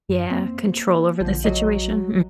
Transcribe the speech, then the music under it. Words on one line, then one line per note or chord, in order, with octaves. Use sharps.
yeah, control over the situation,
F#2
A#3 C4
A#1 D3 F3
F#3 F#4 D#5